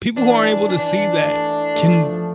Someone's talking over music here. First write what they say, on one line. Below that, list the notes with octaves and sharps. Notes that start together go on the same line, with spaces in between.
people who aren't able to see that can
E3 D4
E3
E3 D4
E3
A3
E4
A3
F3